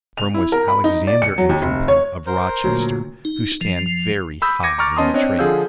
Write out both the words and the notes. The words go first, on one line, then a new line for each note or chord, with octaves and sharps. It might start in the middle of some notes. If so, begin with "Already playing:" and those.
The firm was Alexander & Company, of Rochester, who stand very high in the trade.
F7
E4
A#4
B5
D#4
D5
C#7
F#3
D#2
F1
C#5
A#4 C5
D2 A#2 F#3
D#4
F3
B5 D#6 E6 G6
D6 G#6 A#6 C#7 D#7
A#5 C#6 D6 F6 A6
B3 C#4 D#5 A5 C6 D#6
C4 D4 C#5 D#5
D3 F3 G#4 F5 E6 G6